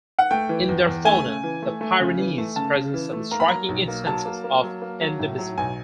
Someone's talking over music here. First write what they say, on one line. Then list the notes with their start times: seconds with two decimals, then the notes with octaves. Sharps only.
In their fauna the Pyrenees present some striking instances of endemism.
0.19 F#5
0.31 A3 G5
0.49 E3
0.69 E2
0.87 E2
1.05 A3 G#5
1.25 C#3
1.44 E3
1.63 A3
1.81 A3
2.00 C#3
2.19 E3
2.38 A3
2.56 C#3 A5
2.75 C#3
2.94 E3
3.13 A3
3.31 A#3 A#5
3.40 B5
3.48 F#3 A#5
3.69 B1
3.88 A#3
4.07 F#3 A5
4.25 A#3
4.44 A#3
4.63 F#3
4.82 A#3
5.01 F#3
5.19 A2
5.38 F#3
5.58 B1 G#5